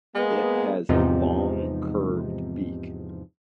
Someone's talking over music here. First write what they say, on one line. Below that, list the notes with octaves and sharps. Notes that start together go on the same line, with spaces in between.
It has a long, curved beak.
G#3 A#3 B3
E2 G#2 C3 F3 D#4